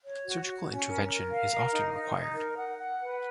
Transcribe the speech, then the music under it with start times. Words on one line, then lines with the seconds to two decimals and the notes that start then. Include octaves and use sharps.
Surgical intervention is often required.
0.04 C#5
0.25 F#4
0.46 F#4
0.67 C#4
0.89 A#4
1.09 A#4
1.30 F5
1.51 A#4
1.72 D#4
1.93 D#4
2.15 D#4
2.35 A#4
2.57 F#5
2.78 F#5
2.99 B4